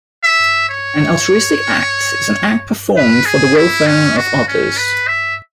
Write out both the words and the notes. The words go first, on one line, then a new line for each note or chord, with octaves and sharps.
An altruistic act is an act performed for the welfare of others.
E5
C#5
B4
G#4
E4
C#4
F#4
C#4
B4
E5